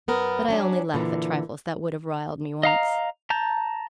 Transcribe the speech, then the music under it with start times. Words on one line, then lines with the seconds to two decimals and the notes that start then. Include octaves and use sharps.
But I only laugh at trifles that would have riled me once.
0.08 F#2 B3 A#4
0.48 F#3 C#4 D4
0.94 A#2 D3 E3
2.63 D#5 F5 A#5
3.30 A5 A#5 G6